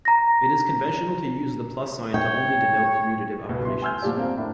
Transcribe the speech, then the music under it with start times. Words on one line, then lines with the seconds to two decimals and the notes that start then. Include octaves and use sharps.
It is conventional to use the plus sign to only denote commutative operations.
0.05 A#5 A#6
2.14 C#5 G5
3.49 C#2 B2
3.65 E4 C6
3.82 G#5 C6 E6 F6 G6
4.02 D#1 F3 G4 D5
4.17 A#3 C4
4.37 A2 D4